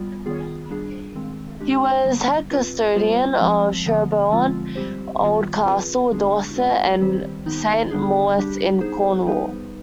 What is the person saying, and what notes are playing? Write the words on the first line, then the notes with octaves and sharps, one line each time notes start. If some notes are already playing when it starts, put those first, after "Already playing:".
He was Head Custodian of Sherborne Old Castle, Dorset and Saint Mawes in Cornwall.
Already playing: G3 B3 F4
D#3 B3 F4 G#4
G3 D4 G#4
D#3 G#3 C4
G#3 D4 G4
D3 G3 B3
C4 F4 B4
G3 B3 F4 C5
F3 G#3 C4
D3 F3 B3
D3 F3 G#3 C4 F4
G3 C4 G4 C5
D#3 G3 B3 F4
C4 F4 G#4 B4
D3 G#3 B3 D4 G#4
G#3 C4 F4 B4 D5
D#3 G3 C4 G4 C5
D#3 B3 D#4
D3 G3 B3 D4 G#4
G3 D4 G4
B3 D#4 G#4 C5
G3 B3 D#4 B4